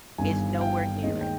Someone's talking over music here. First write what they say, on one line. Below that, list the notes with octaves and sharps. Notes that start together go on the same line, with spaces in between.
is nowhere near it.
G1 G2 D#3 G#5
F5
G5
D#2 D#3 G#3 D#5
G5